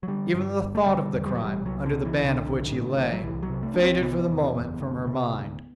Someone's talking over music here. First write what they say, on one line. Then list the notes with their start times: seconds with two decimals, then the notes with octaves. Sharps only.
Even the thought of the crime, under the ban of which he lay, faded for the moment from her mind.
0.03 F#3
0.08 D3 G3
0.34 G2
0.60 G1
0.75 A3
0.86 D3 G3
1.13 E2
1.26 G3
1.35 E1 F#3
1.45 G3
1.65 C2 F#3
1.85 D3
1.92 B2
2.05 E3
2.18 C2
2.25 D3
2.45 A1
2.71 A2
2.97 A1
3.13 F#3
3.23 C2 E3
3.43 F#3
3.50 C3
3.63 A3
3.74 C2 D4
3.82 C4
4.02 C3 B3
4.28 E2
4.55 F#1
4.81 D2
5.07 C3
5.34 D2